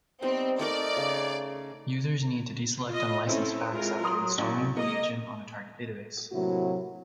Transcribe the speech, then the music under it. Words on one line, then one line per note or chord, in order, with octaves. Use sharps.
Users need to de-select unlicensed packs after installing the agent on a target database.
G3 B3 C4 D#4
A3 D#4 A#4 D5
C#3
F4 D#5
C4 C#4 E4 A4
G#3 F4 A#4
F#3 A#4 C6 D#6
A1
A#3 D#5
A2 C3 F#3 A#3 E4 F#4